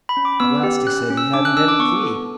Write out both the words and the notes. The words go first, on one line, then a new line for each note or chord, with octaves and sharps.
At last he said he hadn't any key.
B5
C#4
D6
B3 E6
G4
C#4 F#6
C#4
E6
D4 D6
F#6
D4 E6
D6
B3 C#6
A4